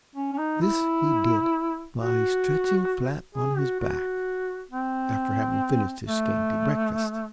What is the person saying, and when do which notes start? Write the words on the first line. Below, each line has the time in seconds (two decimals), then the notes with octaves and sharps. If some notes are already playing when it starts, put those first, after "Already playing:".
This he did, by stretching flat on his back, after having finished his scanty breakfast.
0.16 C#4
0.33 C#4
0.39 D#4
0.62 E4
1.98 F#4
3.35 G#4
3.58 F#4
3.80 F#4
4.72 C4
6.08 A3